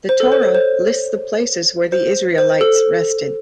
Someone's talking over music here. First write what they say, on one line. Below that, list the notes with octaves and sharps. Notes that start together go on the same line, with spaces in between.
The Torah lists the places where the Israelites rested.
C5
A4
C5
C#5
C5
C5
C5
A4